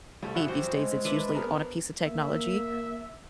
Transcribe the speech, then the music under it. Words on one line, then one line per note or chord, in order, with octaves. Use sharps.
these days, it's usually on a piece of technology,
C2 G3 A3
G#1 E4 F#5
F3 C4 F#4 C5
G#3
D4 B4 E5
B3 G#4 A#4
A#3 E5